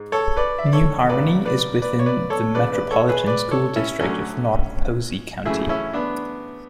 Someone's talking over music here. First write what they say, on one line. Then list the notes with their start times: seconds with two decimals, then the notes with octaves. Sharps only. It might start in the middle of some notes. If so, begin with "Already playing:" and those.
New Harmony is within the Metropolitan School District of North Posey County.
Already playing: G#2 G#3
0.12 A4 C#5
0.37 B4 D5
0.58 E5
0.66 D5
0.73 A4 C#5
1.09 B1 A2 F#3 B4 D5
1.45 B4 D5
1.82 B4 D5
1.99 C#5
2.06 B4 D5
2.30 A4 C#5
2.54 C#2 C#3 E3 B4 D5
2.73 B4 D5
2.91 A4 C#5
3.09 G#4 B4
3.27 B4 D5
3.51 A4 C#5
3.76 C#4 E4
4.00 D2 D3 F#3 A3 C#4
5.45 F#2 C#3 E3 A3 E4 G#4
5.69 C#4 E4
5.93 B3 D4